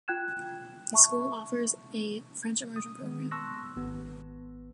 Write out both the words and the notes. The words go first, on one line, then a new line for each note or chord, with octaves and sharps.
The school also offers a French Immersion program.
F4 G5 F#6 G#6 E7
E5 A5 C#6
D#6
D#3 G#3 B3
A5 C6 C#6 E6 F#6 A#6
G#1 B3